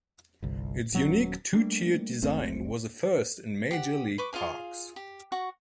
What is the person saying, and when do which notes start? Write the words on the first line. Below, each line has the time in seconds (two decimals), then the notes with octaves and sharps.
Its unique two-tiered design was a first in major league parks.
0.43 G1 C2
0.92 D#1 F#3 C#4
1.53 G3 A3 A#3 D4
2.22 F#1 C#2 A3 C4
3.71 G4 F#5
4.18 B4 C#6 D6
4.33 F4 G#4 F5 G#5
4.96 G4
5.32 F#4 F#5 C#6